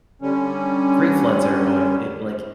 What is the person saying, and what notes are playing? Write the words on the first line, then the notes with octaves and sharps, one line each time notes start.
Great floods are always e like
D3 G3 C#4